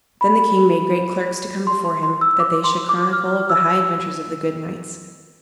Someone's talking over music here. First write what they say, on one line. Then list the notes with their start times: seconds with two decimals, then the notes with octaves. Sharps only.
Then the king made great clerks to come before him, that they should chronicle of the high adventures of the good knights.
0.21 B5
1.67 C6
1.85 C6
2.03 C6
2.21 E6
2.40 D6
2.64 C6
2.89 D6
3.13 F6
3.50 E6